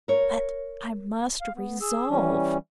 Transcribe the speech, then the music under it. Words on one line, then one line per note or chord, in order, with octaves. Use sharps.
But I must resolve.
A#4 C#5
F5
B3
G#4 E6
E3 G3 C#4